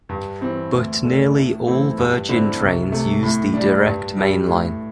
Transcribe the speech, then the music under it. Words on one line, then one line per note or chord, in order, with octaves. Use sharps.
But nearly all Virgin trains use the direct main line.
G2
E3 C4
D2
D3 A3 D4 A4
A2
E3 A3 C4 E4
G2
D3 A3 C4 E4
C2
C3 A3
A2
G3 D4
G2
G3 D4 G4
A2